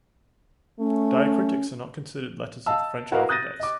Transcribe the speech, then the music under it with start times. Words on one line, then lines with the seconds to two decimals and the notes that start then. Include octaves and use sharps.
Diacritics are not considered letters of the French alphabet.
0.80 A3 C#4
2.66 D#5 F5 A5 E6
3.11 E4 F#4 A#4 B4 D#5 F5
3.29 D#6 F#6 G6 A6 A#6 D#7
3.60 D#5 D6